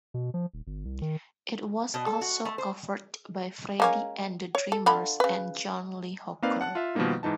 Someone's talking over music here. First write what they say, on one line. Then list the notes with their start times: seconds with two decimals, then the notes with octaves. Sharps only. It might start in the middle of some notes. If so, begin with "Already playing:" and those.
It was also covered by Freddie and the Dreamers and John Lee Hooker.
0.14 B2
0.34 F3
0.54 D#1
0.67 G1
0.85 C2
1.02 D#3
1.94 B2
2.06 A4
2.21 F#4
2.45 A3
2.58 C5
3.80 G#3 A#3 C#4
4.55 C#5
4.72 A4
4.86 D3 F4 B5
5.20 C#3 B4
6.42 A#3 C4 D#4 B4 D5 F5
6.61 F#5 A5 F#6
6.75 F4 E5
6.95 B2 D#3 F3 G3 A#3 D#4
7.23 G#2 E3 D#4 A5